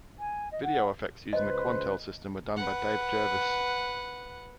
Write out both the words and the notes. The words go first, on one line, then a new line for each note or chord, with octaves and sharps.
Video effects using the Quantel system were done by Dave Jervis.
G#5
D#5
F#5
C#2 C#3 B4 C5 D#5
B4 F#5